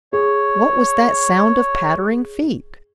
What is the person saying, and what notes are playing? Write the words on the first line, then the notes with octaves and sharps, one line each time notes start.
What was that sound of pattering feet?
G#4 C#5